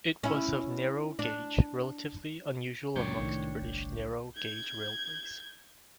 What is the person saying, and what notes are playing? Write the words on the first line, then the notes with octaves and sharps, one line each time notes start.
It was of narrow gauge, relatively unusual amongst British narrow gauge railways.
C#4 E4
D4
C#2 F#2 E3 F#3 A#3 D4 C#5 G5
C2 A2 D#3 A3
G1
G6 G#6